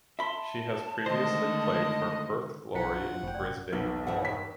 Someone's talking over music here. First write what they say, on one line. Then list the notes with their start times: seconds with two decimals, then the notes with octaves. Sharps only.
She has previously played for Perth Glory and Brisbane Roar.
0.19 E5 A5 B5 C6
1.06 D3 D#3 G#3 A3 C5 D#5
2.75 B1 E4 F#5 B6 C#7
2.95 D4 F4 F#4
3.23 F1 A2 C5 G5
3.35 D5
3.73 B1 B3
4.07 G2 E5 F#5
4.25 G2 B6